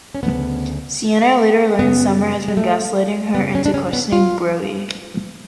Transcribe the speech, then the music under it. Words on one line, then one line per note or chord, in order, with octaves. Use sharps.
Sienna later learns Summer has been gaslighting her into questioning Brody.
C#4
D2 C#3 B3
F#2 C#3 B3
G#3
A3
F#2 C#3 B3
C#4
D4
C#4
B3
F4